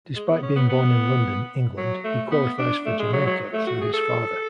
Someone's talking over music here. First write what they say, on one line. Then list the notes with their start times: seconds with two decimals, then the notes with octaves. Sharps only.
Despite being born in London, England he qualifies for Jamaica through his father.
0.15 G#3
0.28 B3
0.42 C#4
0.56 B3
0.69 B3
1.77 F#3
2.04 A3
2.31 B3
2.58 D4
2.86 A3
2.99 G#3
3.13 F#3
3.26 F#3
3.53 A3
3.67 F#4
3.81 G#4
3.94 A4